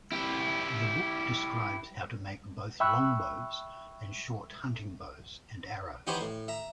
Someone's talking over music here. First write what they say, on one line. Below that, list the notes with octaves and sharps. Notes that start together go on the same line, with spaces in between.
The book describes how to make both longbows and short hunting bows and arrows.
E4 G4
E5 G5 B5 C#6 E6 F#6
E3 B3 D#4 G4 C5 C#5
A2
E5 A#5